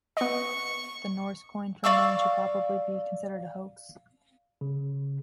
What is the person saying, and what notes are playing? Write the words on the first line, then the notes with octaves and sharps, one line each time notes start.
The Norse coin from Maine should probably be considered a hoax.
B3 D#5 C#6
D5 F5 C#6 E6
C#3